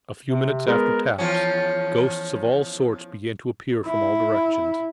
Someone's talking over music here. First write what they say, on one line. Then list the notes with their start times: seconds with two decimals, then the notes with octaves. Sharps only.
A few minutes after taps, ghosts of all sorts began to appear from all directions.
0.25 C3
0.67 G#3 B3 A#4
1.18 E2 F3 C#4
3.86 E4